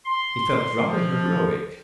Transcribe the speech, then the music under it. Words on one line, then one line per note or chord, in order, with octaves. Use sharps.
He felt rather heroic.
C6
F3